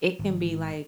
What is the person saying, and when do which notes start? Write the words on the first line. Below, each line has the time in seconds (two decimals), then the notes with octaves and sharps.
it can be, like,
0.19 G#1